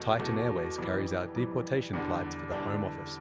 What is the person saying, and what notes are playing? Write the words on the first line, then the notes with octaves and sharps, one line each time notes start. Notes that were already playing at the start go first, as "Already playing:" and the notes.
Titan Airways carries out deportation flights for the Home Office.
Already playing: E2 B2 A3
E2 B2 A3
F2 E3 G3
F2 E3 G3
E2 D3 G3 D4
E2 D3 G3 D4